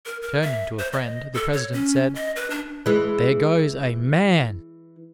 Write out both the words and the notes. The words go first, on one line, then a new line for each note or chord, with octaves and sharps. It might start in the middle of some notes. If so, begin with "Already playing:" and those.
Turning to a friend, the President said, "There goes a MAN!"
A#4
A#4
E5
C5
D#5
A4
C#5
C#4
D#5
B4
D4
E3 G#3